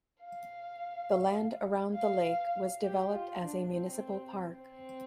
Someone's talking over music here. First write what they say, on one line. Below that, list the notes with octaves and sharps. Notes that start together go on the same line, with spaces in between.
The land around the lake was developed as a municipal park.
F5
F5
G4
F4
D4
C4
C4